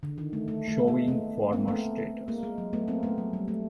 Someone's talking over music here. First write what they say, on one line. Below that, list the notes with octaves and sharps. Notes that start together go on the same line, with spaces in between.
Showing former status.
D3
D#3
A3
A3
A3
G#3 A#3
A3 B3
A#3 C4
A3 B3
G#3 A#3
G#3
F#3
A3 B3
A#3 C4
A3 B3
F#3
G3
A3